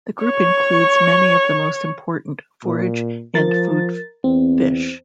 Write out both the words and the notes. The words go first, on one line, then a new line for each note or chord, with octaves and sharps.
The group includes many of the most important forage and food fish.
C#5 C#6
A#2
F3 A#4 A6
E2 C4